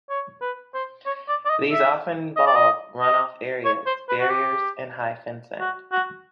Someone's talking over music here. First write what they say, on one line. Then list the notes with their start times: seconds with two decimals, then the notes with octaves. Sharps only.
These often involve run off areas, barriers, and high fencing.
0.10 C#5
0.41 B4
0.74 C5
1.06 C#5
1.29 D5
1.45 D5
1.50 D#5
1.72 E5
2.36 D#5
2.46 D5
2.56 D#5
3.01 D#5
3.65 C#5
3.86 C5
4.09 B4
4.21 F#4
4.30 G4
5.60 F#4
5.92 F#4